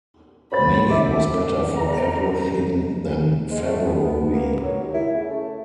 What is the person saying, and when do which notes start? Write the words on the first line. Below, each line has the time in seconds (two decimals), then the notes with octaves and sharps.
May was better for everything than February.
0.52 C#4 C5 B5 A6
0.91 E5 D6
1.76 A#5
3.51 G#3
3.65 A3
3.87 B3
4.08 B3
4.34 A#3
4.63 F#3
4.79 D#2
4.94 E4
5.14 C#3
5.30 A3